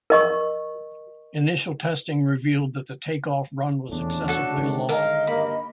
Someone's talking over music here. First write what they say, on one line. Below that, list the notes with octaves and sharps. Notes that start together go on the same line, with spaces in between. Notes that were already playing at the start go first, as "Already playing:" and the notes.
Initial testing revealed that the takeoff run was excessively long.
A#4 D#5 C#6
D#1 E2 A3 C#4 D4
F#4 A4
D3 D#3 G#3
A#4 D#5 F5
G2 A#3 B5